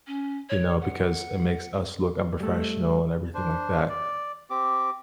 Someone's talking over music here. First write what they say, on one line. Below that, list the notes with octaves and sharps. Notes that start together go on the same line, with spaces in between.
you know, because it makes us look unprofessional," and everything like that,
C#4
C#5
F#5
G3 A3
D4 C5
D5
C4 G4 D6